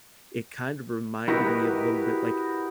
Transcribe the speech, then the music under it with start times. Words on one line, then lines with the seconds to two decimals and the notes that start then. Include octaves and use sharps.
it kind of reminded me a little bit, like
1.28 E4 F#4 G4 A#4 B4 D#5